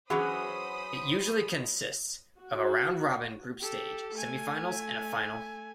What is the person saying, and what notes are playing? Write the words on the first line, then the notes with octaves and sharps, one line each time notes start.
It usually consists of a round-robin group stage, semifinals, and a final.
E3 F#3 C#4 F#4 G#4 C5 B5 D#6
F#4
G4 A4
A3 G#5